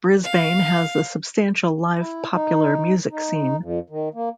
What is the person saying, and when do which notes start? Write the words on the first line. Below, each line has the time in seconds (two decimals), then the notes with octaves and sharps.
Brisbane has a substantial live popular music scene.
0.23 F5
1.96 E4
2.33 D#4
3.11 D#4
3.60 F2
3.90 D#3
4.14 A#3